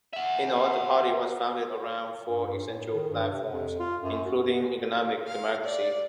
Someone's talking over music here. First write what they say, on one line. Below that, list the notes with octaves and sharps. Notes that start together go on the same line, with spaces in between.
In all, the party was founded around four essential platforms, including economic democracy.
E5 F#5
G2
G2
A2
D#3
G2
C3
F2
F4
F#2
F#4
F5
D5